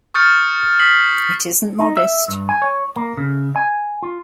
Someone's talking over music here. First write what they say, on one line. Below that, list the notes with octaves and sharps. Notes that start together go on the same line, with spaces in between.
It isn’t modest.
C#6 D#6 F6 G6 A6 C#7
D#6 B6 C7 F#7
D#4
E5
G2
G#5
C#5
A#3
C#3
G#5
F4